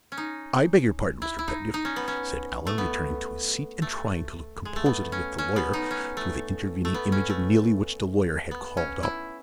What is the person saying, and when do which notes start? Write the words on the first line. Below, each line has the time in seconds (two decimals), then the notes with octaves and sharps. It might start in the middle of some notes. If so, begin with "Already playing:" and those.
"I beg your pardon, Mr. Pedgift," said Allan, returning to his seat, and trying to look composedly at the lawyer through the intervening image of Neelie which the lawyer had called up.
0.12 C#4
0.18 D#4
1.22 E4
1.39 E4
1.48 D#4
1.74 D#4
1.85 C#4
1.96 B3
2.08 C#4
2.67 A3
2.78 B3
3.82 A3
4.65 G#3
4.76 A3
4.86 B3
5.12 C#4
5.38 C#4
5.56 B3
5.73 D#4
5.91 C#4
6.17 A3
6.85 A3
6.94 B3
7.12 C#4
7.29 A3
8.51 B3
8.77 C#4
9.03 E4